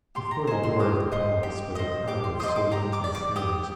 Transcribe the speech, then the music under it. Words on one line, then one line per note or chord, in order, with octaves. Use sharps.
Before the door of the Palace was a crowd of soldiers and sailors.
G4 C6
A#5
C5 D#5 G#5
C6
G4 D#6
C5 D#5
G4
C5 D#5
G4 D6
C6
C5 D#5 C6 D#6
D6
G4 A#5
D6
D5
D6
G4 D#6